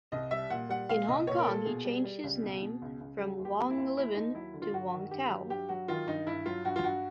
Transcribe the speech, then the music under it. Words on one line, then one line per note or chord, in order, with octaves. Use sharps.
In Hong Kong, he changed his name from Wang Libin to Wang Tao.
C2 D#5
G3 E5
A#2 F#5
G3 F#5
A#2 F5
C2 D#5
A#2 C#5
A#4
A#2 A4
B2 G#4
G3
G3
C#2
B2
B2
C#2
C#2
F#3 G#4
D#2
G4
D#2
E4
D#2
D#2 E4
D#2 D#4
F#3 E4
D3
F4
G2 F#4
D#3
G2 G4
F#3
G2 G4
F#3 F#4
D#3 F4
G2 D#4
G2 E4
F#3 F4
G2 F#4
F4
G2 F#4